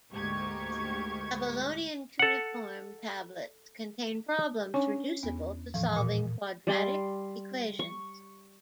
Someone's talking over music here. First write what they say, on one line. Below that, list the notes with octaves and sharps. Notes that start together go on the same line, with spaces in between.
Babylonian cuneiform tablets contain problems reducible to solving quadratic equations.
D2 G#2 A#3 G4 C#6 G#6
A4 F#5
C#4 D4 C#5 G#5
E2 B3
A2 E3 F3
A#2
G3 D5 C6
C#6